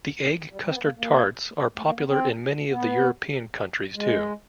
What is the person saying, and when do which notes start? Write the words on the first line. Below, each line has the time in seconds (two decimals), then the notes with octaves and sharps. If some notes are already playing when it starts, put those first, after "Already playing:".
The egg custard tarts are popular in many of the European countries too.
0.52 G3
0.63 G3
0.69 C4
0.74 B3
0.84 A#3
0.99 A#3
1.77 A3
1.88 A#3
1.98 B3
2.09 C4
2.70 B3
3.95 G#3